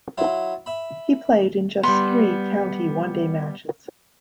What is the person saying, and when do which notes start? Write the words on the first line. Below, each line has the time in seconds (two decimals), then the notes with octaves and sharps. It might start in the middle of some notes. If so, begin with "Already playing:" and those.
He played in just three county one day matches.
0.18 F#3 E4 F4 E5
0.66 E5 B5
1.83 G3 B3 C6